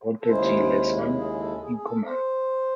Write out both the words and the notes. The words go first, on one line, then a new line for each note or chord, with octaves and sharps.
Walter G. Lessman in command.
A4
D#2 C#3 G#3 C#4 E4 C5
G#4
A4
G#4
G#4
A4
C5